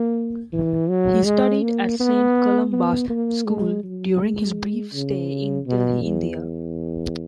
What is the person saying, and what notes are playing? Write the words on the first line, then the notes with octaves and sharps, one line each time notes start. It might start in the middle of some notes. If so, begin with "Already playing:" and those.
He studied at Saint Columba's School during his brief stay in Delhi, India.
Already playing: A#3
E3
F#3
G#3
A#3
B3
B3
A#3
G#3
F#3
G#3
C#3
B2
E2